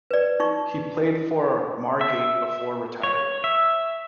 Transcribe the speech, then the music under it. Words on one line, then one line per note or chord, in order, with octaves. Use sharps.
He played for Margate before retiring.
B4 D5
D#4 C#6
E5
C#5
E5